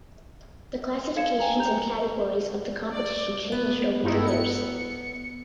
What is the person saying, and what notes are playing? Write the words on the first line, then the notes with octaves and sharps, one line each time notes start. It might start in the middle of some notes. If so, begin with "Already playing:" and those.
The classifications and categories of the competition changed over the years.
D#4 A4 F5 G#6 C#7 E7
G5 G#5 A#5
G4 C5 A#5 G6 F7
D5
B3
G2 D#4 E4
C#7